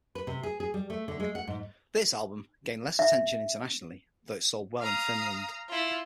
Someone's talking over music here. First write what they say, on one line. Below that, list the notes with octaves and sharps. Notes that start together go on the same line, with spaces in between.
This album gained less attention internationally, though it sold well in Finland.
B4
C3
G#4
G#4
G3
A3
D3
G#3
F#5
G#2
E5
F5 A#5 D#6
E4 F4